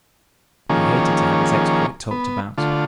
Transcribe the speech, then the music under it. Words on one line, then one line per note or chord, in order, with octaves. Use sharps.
He hated to have his exploit talked about.
D#3 F3 A#3 C#4 G#4
B3
D3 A3 F4